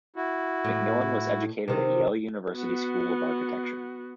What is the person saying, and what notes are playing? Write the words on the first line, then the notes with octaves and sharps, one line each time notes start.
McMillan was educated at Yale University School of Architecture.
E4 F#4
A2
C3 D#3
B3 F#4